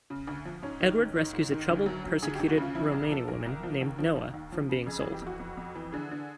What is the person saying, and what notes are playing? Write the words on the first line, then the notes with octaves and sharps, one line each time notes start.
Edward rescues a troubled, persecuted Romani woman named Noah from being sold.
C#3
D2
F3
G#2 C#4
D#3
D#3
G#2
G#2
D#3
D2
F#3
F#3
D2 G#4
D2 G4
F#4
C#3 F4
F3 E4
C2 G#4
F3 A4
A#2 A#4
C2
F3
D#2
F3
D#2
D#2
F3
C#3
F2 G#4
G#4
E3
G4
F2 F#4
F2
F2
E3
D3 G#4
D3